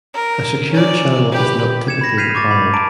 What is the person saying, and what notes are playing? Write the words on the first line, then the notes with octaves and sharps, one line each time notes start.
A secure channel is not typically required.
A#4
C#4 D5
G4 B4
G#6 C#7 E7
B5 G#6 A#6 C#7
F6 G6 B6 C7 D#7 F7
C#6 D6 A6
B5
A5 A#5 D7